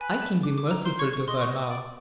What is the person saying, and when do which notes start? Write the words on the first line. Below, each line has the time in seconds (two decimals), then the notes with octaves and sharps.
"I can be merciful to her now."
0.01 B4 G#5
0.22 A5
0.43 D6
0.58 D6
0.71 A#5
0.85 C5 C6
0.99 C#5 C#6
1.13 C#6
1.28 D#5 C6
1.41 C#6
1.49 D#5
1.56 D6
1.70 D5